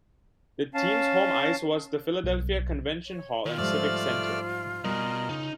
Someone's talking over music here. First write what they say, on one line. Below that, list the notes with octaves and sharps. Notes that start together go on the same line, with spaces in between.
The team's home ice was the Philadelphia Convention Hall and Civic Center.
C#4 F5 A5
B1
C#5
D#3 F4
G#2 F3 G3 A3 D5 E6 F6
B2 G3 A#4 D#5 G#5
C#3 D#4